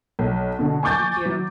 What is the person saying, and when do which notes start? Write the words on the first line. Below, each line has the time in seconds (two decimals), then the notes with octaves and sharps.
Thank you.
0.19 B1
0.59 B2 D3
0.83 G#5 C#6 D6 G6 A6
1.26 F#3